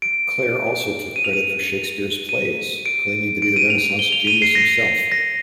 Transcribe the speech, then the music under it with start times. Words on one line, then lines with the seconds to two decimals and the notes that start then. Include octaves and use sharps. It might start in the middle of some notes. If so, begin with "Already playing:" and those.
Clare also took credit for Shakespeare's plays, claiming to be the Renaissance genius himself.
0.02 D7
1.16 D#7
1.24 F7
1.33 D#7
2.29 D#7
2.86 D7
3.42 D7
3.56 D#7
3.70 F7
3.99 G7
4.12 F7
4.27 D#7
4.42 C7
4.55 A#6
5.12 A#6